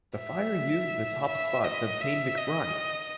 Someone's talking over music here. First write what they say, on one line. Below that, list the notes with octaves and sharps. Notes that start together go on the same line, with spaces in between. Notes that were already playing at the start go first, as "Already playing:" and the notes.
The Fire used the top spot to obtain McBride.
E5
E5
D#5
E5
D#5